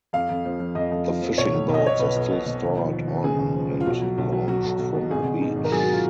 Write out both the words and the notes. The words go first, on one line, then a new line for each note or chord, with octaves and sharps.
The fishing boats are still stored on and launched from the beach.
F2 F5
F2
F3
F3
F2 D#5
F2
F3
F3
B1 C#5
B1
B1 D#5
B2 C#5
B1 B4
B1
B2
B2
D#2
F3
D#2
D#2
C#3 G#4
D#2
F3
F3
F4
B1 F#4
F#3
B1
F#3
F#3 F#4
B1
B1
B2
G#1 G#4
G#1
G#2
G#1
A#4
F#3 G#4
F#4
F4